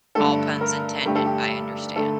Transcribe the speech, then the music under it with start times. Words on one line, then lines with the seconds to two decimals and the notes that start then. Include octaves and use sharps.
All puns intended, I understand.
0.15 G2 D3 A3 A4
0.61 A#4
1.06 G2 D3 A3 G4
1.15 A4
1.25 G4
1.96 D3 A3 A4